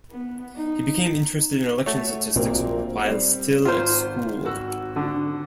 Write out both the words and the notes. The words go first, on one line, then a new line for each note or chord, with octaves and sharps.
He became interested in election statistics while still at school.
B3
D#4
A3 F#4 C#5
A#1 A#2 F3 F#3 A#3 C4
G3 C4
G#1 F4 C5
G#1 F#4 E6
D3